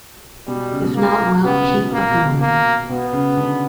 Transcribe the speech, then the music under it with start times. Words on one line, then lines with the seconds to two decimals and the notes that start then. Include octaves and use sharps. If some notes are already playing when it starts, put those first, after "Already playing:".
If not well, keep agoing.
0.47 B2 G3
0.60 B2
0.71 C#3
0.84 B2
0.96 A#3
1.44 C#3 B3
1.68 B2
1.92 A#2 A#3
2.09 B2
2.25 B2
2.41 B2 A#3
2.89 B2 B3
3.13 C#3
3.37 D3